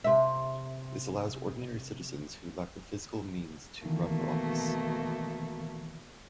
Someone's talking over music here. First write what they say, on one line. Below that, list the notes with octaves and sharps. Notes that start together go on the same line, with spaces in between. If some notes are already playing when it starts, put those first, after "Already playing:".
This allows ordinary citizens, who lack the fiscal means, to run for office.
C3 E5
B2 D#3 E3 A3 A#3